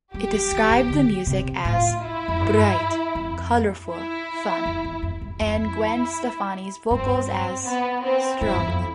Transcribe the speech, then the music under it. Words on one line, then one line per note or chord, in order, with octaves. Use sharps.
It described the music as "bright, colorful, fun" and Gwen Stefani's vocals as "strong".
G3 G4
F3
E3
E3
D3
C3
A2 F4
E4
F2
G2
F2
E4
F2
E2
F2
G2
F2 E4
G2 C4
C4
B3
C4
G2 E4
E2
F2